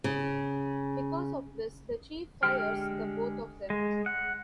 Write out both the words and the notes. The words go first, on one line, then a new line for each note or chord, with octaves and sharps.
Because of this, the chief fires the both of them.
C#3
D3 G#3 G4 G5 F6
G#3
F#5